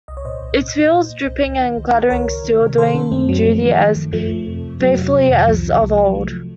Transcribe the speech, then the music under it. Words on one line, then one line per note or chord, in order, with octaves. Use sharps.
Its wheel is dripping and clattering still, doing duty as faithfully as of old.
C2 D#5
C#5
A#2 C5 D#5
C2
A#2
A#2
A#2
A#2
C2
C#2
D#3
C#2
D#3
C#2 A#4 C#5
C#2
D#3
C3
D#3 A4 C5
D#3 A#3 C#4
F#2 A3 C4
D#3 F#3
D#3 F3 A3
D#3
D#3
F#2
F2 F3 A3
F2
C3
F2
F2 F#3
C3
F2
D#3
C2 F3
C3
C2
C2 F3
F#3
C3 F3 A3